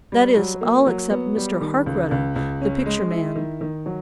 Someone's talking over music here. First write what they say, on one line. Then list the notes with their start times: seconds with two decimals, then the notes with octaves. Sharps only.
That is, all except Mr. Harkrudder, the picture man.
0.12 G3
0.37 F#3
0.61 A#3
0.86 F#3
1.11 B3
1.37 G3
1.61 D#3
1.86 C#2
2.11 C#2
2.36 C#2
2.61 C#4
2.86 G#3
3.11 E4
3.35 D#3
3.61 D#3
3.86 F#3